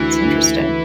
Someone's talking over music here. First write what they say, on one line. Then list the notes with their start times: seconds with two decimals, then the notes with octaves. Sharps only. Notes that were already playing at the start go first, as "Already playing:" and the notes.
it's interesting.
Already playing: D2 E3
0.23 D2